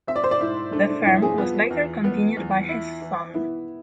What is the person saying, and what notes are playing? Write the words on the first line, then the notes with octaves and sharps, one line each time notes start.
The firm was later continued by his son.
C4 E5
D5
C5
D5
G#2 E4
A3 D4
D4
D4
F2 E4
G#4
B3 F4
E2
B3
E2
E4
E3
B3 E4